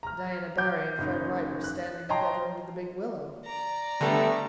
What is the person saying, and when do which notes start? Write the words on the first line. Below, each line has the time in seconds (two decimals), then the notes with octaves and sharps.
Diana Barry and Fred Wright were standing together under the big willow.
0.03 A#5 F6
0.58 D6 G6
0.98 F#1 D#4
1.64 F#6
2.09 C#5 D#5 G5 A5 A#5 C6
3.45 D5 A#5
4.01 D3 G3 A3 B3 A4